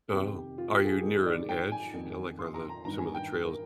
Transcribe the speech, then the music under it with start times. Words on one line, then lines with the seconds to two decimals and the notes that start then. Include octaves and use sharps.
Oh, are you near an edge, you know, like, are the some of the trails
0.13 F2 C3 D#3 G4
0.58 F4
0.74 G4
0.85 G#4
0.88 G4
1.03 G#2 D#3 G#4
1.26 D5
1.49 G5
1.72 G#5
1.94 F2 D#3
2.39 C6
2.54 A#5
2.69 A#5
2.85 G2 D#3 A#5
2.99 G#5
3.14 G5
3.45 A#4